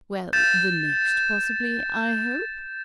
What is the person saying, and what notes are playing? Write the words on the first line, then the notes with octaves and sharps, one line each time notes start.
'Well, the next possibly, I hope?'
G6 A6 E7